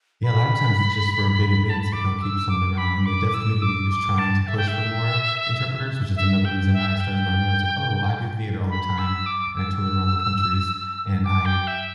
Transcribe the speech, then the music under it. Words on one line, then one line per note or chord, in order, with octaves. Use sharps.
Yeah. A lot of times, it's just for big events that they'll keep someone around, and the deaf community is trying to push for more interpreters, which is another reason I started learning. I was, like, "Oh, I do theater all the time," and I toured around the countries. And I
B5
A5
B5
D6
E6
D6
B5
D6
D6
E6
D6
D6
A5
E5
G5
E5
E5
G5
E5
E5
G5
B5
E6
D6
E6
D6
G5
E5